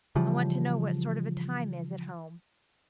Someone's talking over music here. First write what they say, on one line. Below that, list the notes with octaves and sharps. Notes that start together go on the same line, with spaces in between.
I want to know what sort of a time is at home.
C#3 E3 F3 G3